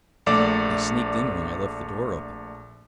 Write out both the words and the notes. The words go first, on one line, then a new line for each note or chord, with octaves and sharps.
They sneaked in when I left the door open.
A#1 A3 D5 D6